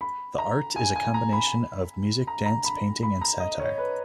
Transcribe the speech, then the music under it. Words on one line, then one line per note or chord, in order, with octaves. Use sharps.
The art is a combination of music, dance, painting and satire.
B5
A#5
G#5
G#5
A#5
B5
A#5
A#5
B5
B5
A#5
D#5
C#5
B4